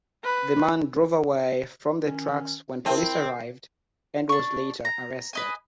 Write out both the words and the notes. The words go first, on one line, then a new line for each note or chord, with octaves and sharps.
The man drove away from the tracks when police arrived and was later arrested.
B4
D#3 C#4
C4 E4 A#4 E5 A5
D4 C#6
A#5
B4 D#5 G#5